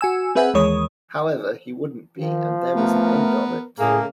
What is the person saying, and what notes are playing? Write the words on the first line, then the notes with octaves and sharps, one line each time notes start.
However, he wouldn't be, and there was an end of it.
F#4 G#5 E6
C4 G#4 B4 E5 F#5 G#5
D#2 E3 G#3 C#5 D#6
D#3 F3
A3 B3 A#4
A2 C#3 A3 A#3 G#4